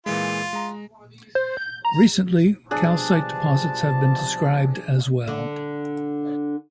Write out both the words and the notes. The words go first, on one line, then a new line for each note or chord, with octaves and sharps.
Recently, calcite deposits have been described as well.
A#2 E3 G#3 F4
G#3 A#5
C5
G6
A#5
B2 F3 G3 D4 G#4 A5
D3 D4